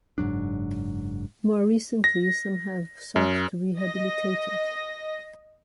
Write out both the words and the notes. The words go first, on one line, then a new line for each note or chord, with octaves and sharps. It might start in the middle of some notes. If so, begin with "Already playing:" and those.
More recently some have sought to rehabilitate it.
F#1 G#2 F#3 D4
A#6
F#2
D#5 A#6